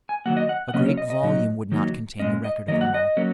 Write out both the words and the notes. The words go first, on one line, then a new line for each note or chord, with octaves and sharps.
A great volume would not contain the record of them all.
G#5
D#3 F#3 A#3 F#5
D#5
F#5
F#5
C#3 F#3 A#3 C#4 D#5
C#5
D#5
D#5
A#2 F#3 D#4
D#3 F#3 A#3 D#4
A#2 G#3 C#4 D#5
D#5
D#3 F#3 A#3 D#5
F#5
D#5
F#3 A#3 C#4